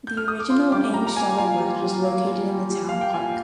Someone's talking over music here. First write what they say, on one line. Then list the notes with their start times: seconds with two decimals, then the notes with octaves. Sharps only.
The original Ames Shovel Works was located in the Town Park.
0.07 G6
0.17 F6
0.28 D#6
0.40 D6
0.50 F4 C6
0.72 G3 D6
0.93 G3 A#5
1.07 A#5
1.16 A#3 G#5
1.38 F4 G#5
1.60 G3
1.82 G3
2.03 A#3
2.26 F4
2.48 G3
2.70 G3
2.89 A#3 F5
3.01 G5
3.13 F4 G#5